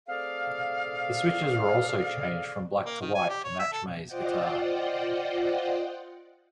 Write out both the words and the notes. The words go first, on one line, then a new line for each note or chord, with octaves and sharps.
The switches were also changed from black to white to match May's guitar.
A3 C4 G#4 A4 D5 F5
A#3
D#3
G#5
G4
C#5
E5
A4
F4 C5 D5 D#5 F#5 G5